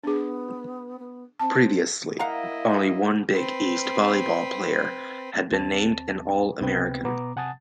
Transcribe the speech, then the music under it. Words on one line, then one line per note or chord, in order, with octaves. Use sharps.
Previously only one Big East volleyball player had been named an All-American.
B3 D4 G#4
B3
C4 A5
A#3 E4 D#5 F5 F#5 A#5
C4 B4
D#2 C4 A5 A6
C#2 C3 B3 C4 B4 G5
B2 B3 A#5 D6
C3 F#5 G#5 A5 D#6 A6